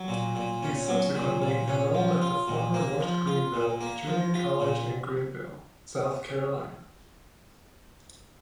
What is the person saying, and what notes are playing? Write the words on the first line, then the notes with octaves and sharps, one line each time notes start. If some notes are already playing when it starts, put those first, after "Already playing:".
He subsequently enrolled at the former North Greenville Junior College in Greenville, South Carolina.
Already playing: F#3
A#2
A#2
C#4
F#3
A#2
A#2
C#4
F3
F4
A#2
A#3
F3
F4
A#2
A#3
F3
F4
A#2